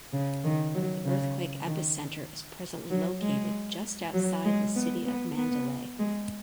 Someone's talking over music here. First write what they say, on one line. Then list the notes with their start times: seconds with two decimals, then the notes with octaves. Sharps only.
The earthquake epicenter is presently located just outside the city of Mandalay.
0.13 C#3
0.44 D#3
0.75 F#3
1.05 C#3
1.67 D#3
2.90 F#3
3.21 G#3
4.14 F#3
4.45 G#3
4.76 B3
5.06 B3
5.37 B3
5.99 G#3